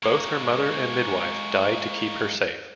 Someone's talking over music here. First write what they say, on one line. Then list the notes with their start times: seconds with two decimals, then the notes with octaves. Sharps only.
Both her mother and midwife died to keep her safe.
0.03 G#3 A#3 C#6